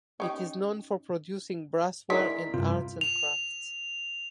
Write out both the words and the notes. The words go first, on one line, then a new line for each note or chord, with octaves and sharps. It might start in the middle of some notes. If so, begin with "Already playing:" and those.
It is known for producing brassware and arts and crafts.
C#4 D#4 G4
G#3 D4 E4 A#4 F#5 B6
G2 C3 F4
F7